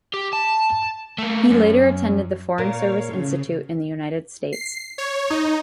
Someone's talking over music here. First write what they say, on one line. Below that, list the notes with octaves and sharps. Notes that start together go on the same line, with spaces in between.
He later attended the Foreign Service Institute in the United States.
G4
A5
A3 A#3
F#2
A#2 A#3 A#4 C#5 F5
A2 C#3
C7
C#5
D#4